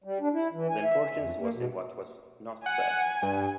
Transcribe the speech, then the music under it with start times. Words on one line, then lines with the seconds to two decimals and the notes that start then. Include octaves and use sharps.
The importance was in what was "not" said.
0.04 G3
0.21 D4
0.34 E4
0.53 E3
0.70 G#5
0.84 E5
1.17 F2
1.40 A#3
1.55 B2
2.66 F#5 G#5
3.23 G2